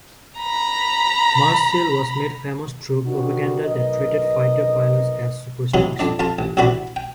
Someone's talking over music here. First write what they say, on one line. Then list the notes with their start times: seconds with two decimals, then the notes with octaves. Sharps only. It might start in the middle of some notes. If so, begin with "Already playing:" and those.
Marseille was made famous through propaganda that treated fighter pilots as superstars.
0.40 A#5 B5
3.05 C3 D#3 D4 F#4
3.64 B1 A#4 B4 D#5
5.74 C3 E3 F#3 D#4
5.99 F2 D4 D5
6.19 F2 F4 A5
6.39 A1
6.57 A#1 C3 E3 F#4 D5 B5
6.96 G5